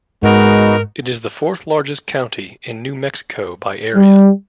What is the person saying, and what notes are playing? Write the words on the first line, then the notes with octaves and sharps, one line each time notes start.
It is the fourth-largest county in New Mexico by area.
G#2 G#3 B3 D#4 F#4 A#4
G3